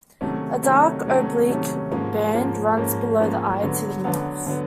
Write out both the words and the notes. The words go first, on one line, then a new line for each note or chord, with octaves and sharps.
A dark oblique band runs below the eye to the mouth.
C3 D#3 F#3 A3 C#4
C3 D#3 F#3 A3 C#4
C3 D#3 F#3 A3 C#4
C3 D#3 F#3 A3 C#4
G#2 F3 A#3 C#4
G#2 F3 A#3 C#4
G#2 F3 A#3 C#4
G#2 F3 A#3 C#4
D3 F#3 B3
D3 F#3 B3
D3 F#3 B3